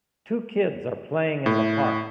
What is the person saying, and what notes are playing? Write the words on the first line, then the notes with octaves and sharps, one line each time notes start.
Two kids are playing in the park.
A2